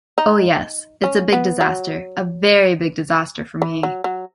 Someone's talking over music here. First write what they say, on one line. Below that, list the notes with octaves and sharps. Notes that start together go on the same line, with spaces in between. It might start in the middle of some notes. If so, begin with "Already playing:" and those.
Oh yes. It is a big disaster, a very big disaster for me!
D#4
C#4
B3
F#3
E3
F#3
F#3